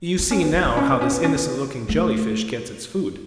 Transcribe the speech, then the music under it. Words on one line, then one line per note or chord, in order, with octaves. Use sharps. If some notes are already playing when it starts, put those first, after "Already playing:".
You see now how this innocent-looking Jelly-fish gets its food.
B3
C#4
B3
C#4
B3
C#4
B3
C#4
B3
C#4
B3
A3